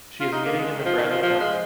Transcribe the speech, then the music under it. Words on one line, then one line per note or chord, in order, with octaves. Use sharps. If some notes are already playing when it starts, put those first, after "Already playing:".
She is meeting him in Bradley County.
F4
D#4
A#3
G#3
D#3
F3
D#3
F3
F3
G#3